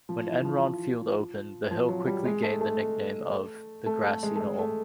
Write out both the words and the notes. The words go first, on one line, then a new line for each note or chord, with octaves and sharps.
When Enron Field opened, the hill quickly gained the nickname of "The Grassy Knoll".
F3
E3
F3
F3
F#3
G3
G#3
A3
A3
A3
A3
G#3
A3
G#3
A3